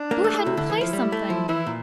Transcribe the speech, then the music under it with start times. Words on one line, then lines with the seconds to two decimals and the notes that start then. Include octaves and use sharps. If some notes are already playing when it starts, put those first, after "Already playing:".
"Go ahead and play something."
Already playing: D4
0.11 A#3
0.24 A3
0.38 E4
0.46 C3
0.57 D3
0.70 E3
0.81 F3
0.93 G3
1.12 A3
1.30 F3
1.48 E3 E4
1.66 A#2